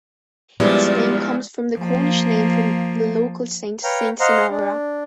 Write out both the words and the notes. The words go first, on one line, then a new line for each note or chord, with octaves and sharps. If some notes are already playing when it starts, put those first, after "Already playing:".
Its name comes from the Cornish name for the local saint, Saint Senara.
G2 A#2 F3 G3 G#3 B3 E4
F3 A#3
B4 C#5 F5 G5 A#5
C5 D#5 F5 F#5 A#5 C6
D4